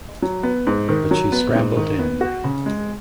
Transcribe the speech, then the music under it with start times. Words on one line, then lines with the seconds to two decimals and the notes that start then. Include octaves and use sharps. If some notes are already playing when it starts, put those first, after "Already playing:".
But she scrambled in.
0.22 F#3
0.43 B3
0.67 G#2
0.89 D#3
1.11 F#3
1.32 B3
1.55 G#2
1.77 D#3
1.99 B3
2.21 F#4
2.44 C#3
2.66 G#3